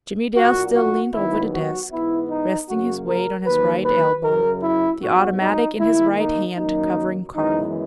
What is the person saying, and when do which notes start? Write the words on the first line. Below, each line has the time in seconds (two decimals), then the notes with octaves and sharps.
Jimmie Dale still leaned over the desk, resting his weight on his right elbow, the automatic in his right hand covering Carling.
0.36 B1 A#2 A#3 F#4
0.75 F#4
1.14 D#2 D#3 F#3 B3 E4
1.53 F#4
1.92 G#2 E3 B3 E4
2.30 D#4
2.69 F#2 C#3 F#3 A#3 F#4
3.07 A#4
3.46 D#2 D#3 F#3 A#3 B4
3.85 B4
4.24 F#2 C#3 F#3 A#4
4.62 E4
5.01 G#2 F#3 B3 F#4
5.40 D#4
5.79 D#2 D#3 A#3 E4
6.18 D#4
6.57 F#2 D#3 F#3 A#3 D#4
7.34 F#2 E3 G#3 B3 D#4